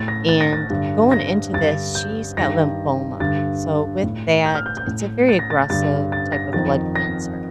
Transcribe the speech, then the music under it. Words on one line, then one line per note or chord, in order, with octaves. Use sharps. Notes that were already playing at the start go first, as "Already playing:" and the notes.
And going into this, she's got lymphoma. So, with that, it's a very aggressive type of blood cancer
Already playing: A2 A6
A#6
A6
A#6
A6
G2 D3
A#6
G2 D3 A6
G6
G2 D#3 A#6
G2 D3 A6
A2
G6
F6
G6
G6
A2
A6
A#6
A6
G2 D3 A6
A6
A#6
F2 D#3 A6
A#6